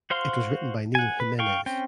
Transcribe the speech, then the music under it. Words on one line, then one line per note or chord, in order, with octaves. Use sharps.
It was written by Neal Jimenez.
F#4 C5 F5 C6
F#5 G#5
B4
F5 G5 C#6
C4 C#4 G5